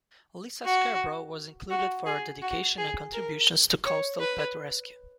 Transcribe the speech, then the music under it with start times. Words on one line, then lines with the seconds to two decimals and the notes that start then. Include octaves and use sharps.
Lisa Scarbrough was included for her dedication and contributions to Coastal Pet Rescue.
0.65 F#4
1.71 F#4
2.06 G#4
2.42 F#4
2.78 G#4
3.13 A#4
3.85 C#5
4.20 B4